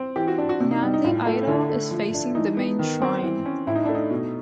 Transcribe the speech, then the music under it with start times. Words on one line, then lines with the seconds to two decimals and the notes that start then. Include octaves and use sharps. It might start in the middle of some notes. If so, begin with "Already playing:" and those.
Nandi idol is facing the main shrine.
Already playing: C4
0.16 E3 G4
0.28 F#4
0.38 D4
0.49 F#4
0.61 C3
0.71 D#4
0.83 G3 D#4
0.94 D#4
1.04 A2 F4
1.25 A3 F4
1.47 D3 E4
1.69 A3
1.91 F3
2.14 D4
2.35 E3 D#4
2.57 B3
2.79 D#3
3.02 C4
3.23 E3
3.45 C#4
3.67 A2 E4
3.75 D#4
3.86 A3 D4
3.95 D#4
4.11 B2